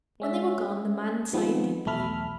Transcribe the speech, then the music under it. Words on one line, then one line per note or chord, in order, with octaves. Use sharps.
When they were gone, the man sighed deeply.
G#3 C#4 E5
D#3 F3 G3 G#3 B3 C4
B1 E2 A3 A4 B5 F6